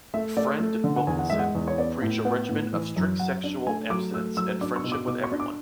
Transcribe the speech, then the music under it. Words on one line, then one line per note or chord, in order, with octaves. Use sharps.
"Friend" Wilkinson preached a regimen of strict sexual abstinence, and friendship with everyone.
A3 E5
A3 D5
A3
D3
F#5
E2 G#5
F#5
G#3 E5
F#5
E2
C#5
B3 D5
A2
B3 F#5
A2
E3
F#2
F#2 F#5
D4
A3 G#5
F#3 D6
A3 E6
F#3 E6
D4 D6
C#6
B2
D6
B2 D6
C#6
D4
D6